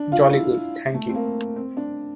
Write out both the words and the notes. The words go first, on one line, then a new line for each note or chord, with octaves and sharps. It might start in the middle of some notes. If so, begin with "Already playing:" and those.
Jolly good, thank you.
Already playing: D4
F4
E4
A3
C4
A#3
C4
D4